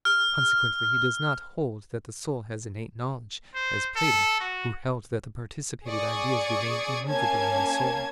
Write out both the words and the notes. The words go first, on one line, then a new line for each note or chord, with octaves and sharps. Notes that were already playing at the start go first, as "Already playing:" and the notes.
Consequently he does not hold that the soul has innate knowledge, as Plato, who held that the participated ideas remain immovably in the soul.
F6
C5
A4
F#4
G#4 D5 C#6 D#6
A#3 C#4 C#5 G#5 A5 G#6